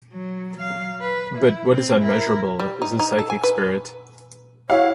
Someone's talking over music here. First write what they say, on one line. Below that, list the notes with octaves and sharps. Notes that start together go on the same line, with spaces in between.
But what is unmeasurable is the psychic spirit.
F#3
F#3 F5
B4
E4
C4
E4 A#4
G3
D#4
D#4
A4
G#5
B4
E4 F#4 C#5 F5